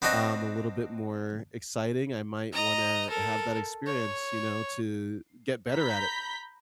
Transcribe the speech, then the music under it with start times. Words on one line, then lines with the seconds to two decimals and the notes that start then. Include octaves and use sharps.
um, a little bit more exciting, I might wanna have that experience, you know, to get better at it.
0.02 B3 C4 D4 F#4 D#5
2.53 D#5 A#5
3.09 A4 A#4
3.86 C#5
5.71 A#5 B5 G6 B6